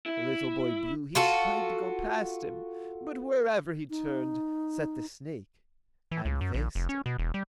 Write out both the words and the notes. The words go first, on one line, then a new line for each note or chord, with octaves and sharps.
Little Boy Blue he tried to go past him; But wherever he turned, sat the snake and faced him.
E4
F4 F#4 A4
D#4
E3
C#2
F#2
A#1
F1
C#4
B2
E1
G3